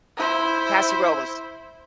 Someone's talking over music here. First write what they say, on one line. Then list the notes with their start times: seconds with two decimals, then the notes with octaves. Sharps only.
Paso Robles.
0.17 E4 C5